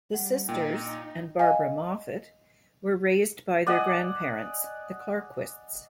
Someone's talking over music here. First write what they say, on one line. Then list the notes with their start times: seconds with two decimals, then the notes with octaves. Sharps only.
The sisters, and Barbara Moffett, were raised by their grandparents, the Klarquists.
0.14 G3 F#5
0.49 A#2 D#4 G5
1.39 D#5 F5 G#5
3.67 D5 D#5 F#5 G#5